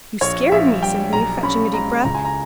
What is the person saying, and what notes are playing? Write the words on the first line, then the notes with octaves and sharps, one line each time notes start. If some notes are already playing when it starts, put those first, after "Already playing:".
"You scared me!" said he, fetching a deep breath.
A#1 C#5
A#1 E5
G3 G5
B1 A#5
C#4 B5
G#3 A#5
C#2 A#5
G#5
A#5